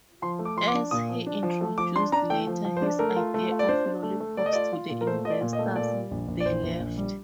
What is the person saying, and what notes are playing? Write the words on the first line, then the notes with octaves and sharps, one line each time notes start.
As he introduced later his idea of lollipops to the investors, they left.
F3 C6
A3
D6
F3 C6
D6
D4
A#2 D#6
F3
D4
F3
A3
F3 D6
D4 C6
D4 A#5
A3 G5
F3
F3
C5
D4
A3 A#4
F4
A3
F4
D5
D4 C5
D4
A3
A3
A3 D5
D#5
F4 D5
F4
A#2
A#4
A3 C5
F4 D#5
D5
A#2
D#5
A3
A#2 D5
G3
A#1
A#1
D5
A#1 C5
A#1
A#1
G3